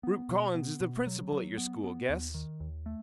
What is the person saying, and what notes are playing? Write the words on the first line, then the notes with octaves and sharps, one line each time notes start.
"Rupe Collins is the principal at your school, guess."
B3
B2
B3
B2
F#3
F#3
B3
B3
D#2
D#3
D#2
A3